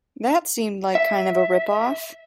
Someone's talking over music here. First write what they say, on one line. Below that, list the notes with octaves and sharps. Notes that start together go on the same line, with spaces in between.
That seemed like kind of a rip off.
E5